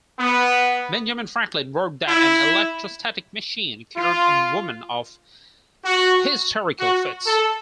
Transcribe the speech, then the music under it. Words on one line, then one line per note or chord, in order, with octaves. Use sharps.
Benjamin Franklin wrote that an electrostatic machine cured a woman of hysterical fits.
B3
E4
F4
F#4
F#4
A4